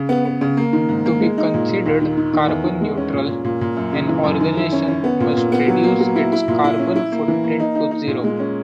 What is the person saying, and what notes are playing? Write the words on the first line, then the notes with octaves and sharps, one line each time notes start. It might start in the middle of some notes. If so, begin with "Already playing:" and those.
To be considered carbon neutral, an organization must reduce its carbon footprint to zero.
Already playing: C#3
B3
B3
C#3
A#3
D#3
G#2
A#3
G#3
D#4
A#2
A#2
D#2
D#3
D#3
D#3
E2
D#3
G#3
C#4
A#2
A#2
A#2
A#2
F#2
C#3
E3
F#2
D#3
E4
C#4
C#4
B3
A#2
A#2
B3
F#3
A#3
F#3
E4
E4
A#2
E4
C#4
E4
A#3
E3
A#3
D#4
D#4
D#4
A#2
G#3
C#4